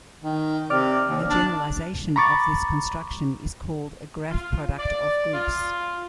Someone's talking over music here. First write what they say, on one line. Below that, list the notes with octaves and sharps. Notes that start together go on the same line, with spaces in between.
A generalization of this construction is called a graph product of groups.
D#3
C3 D5 D6 F6
D#2
D4
A#5 B5 C#6 D6 A6
F4
D5
F4